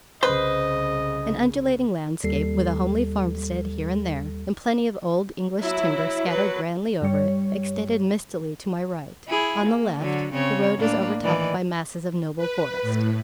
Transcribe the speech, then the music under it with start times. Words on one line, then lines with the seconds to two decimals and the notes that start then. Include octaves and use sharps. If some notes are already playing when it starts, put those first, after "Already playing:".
An undulating landscape, with a homely farmstead here and there, and plenty of old English timber scattered grandly over it, extended mistily to my right; on the left the road is overtopped by masses of noble forest.
0.23 C2 C#3 B4 C5 D#5 C6
2.24 D#2 G3 A4 C7
5.59 F#3 E4
6.28 F#3 B4
7.02 G2 G3 C#5
9.28 E4 G#4
9.65 A#3
9.99 D3 F#3
10.32 C#3 C4 C#5
10.76 A2 A#3 D4
11.22 D#3 E3 D5
12.37 B4
12.82 A2